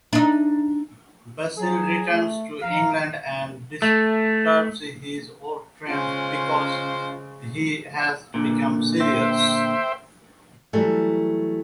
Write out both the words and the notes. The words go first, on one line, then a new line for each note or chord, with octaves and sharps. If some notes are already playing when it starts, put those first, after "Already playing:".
Basil returns to England and disturbs his old friends because he has become serious.
D4 D#4
F#3 G#4
A3
F3 F5 A#5
A3
C#3 G#3 C#4 F4 C5
A#2 D3
C5 E5 G5
E3 F#3 G3 A3